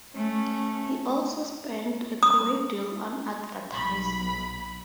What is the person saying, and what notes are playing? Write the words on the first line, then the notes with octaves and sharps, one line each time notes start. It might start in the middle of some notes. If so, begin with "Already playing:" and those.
He also spent a great deal on advertising.
A3 C#4
D#6
B1 B5